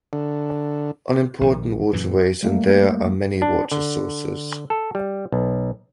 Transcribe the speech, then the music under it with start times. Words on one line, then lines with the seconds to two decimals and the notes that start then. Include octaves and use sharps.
On important waterways and there are many water sources.
0.13 D3
1.41 A#1 D#3
1.93 F#2 A#2 E3
2.43 G3 A3 A#3
3.42 D4
3.72 D3
4.70 A4
4.95 G3
5.32 B1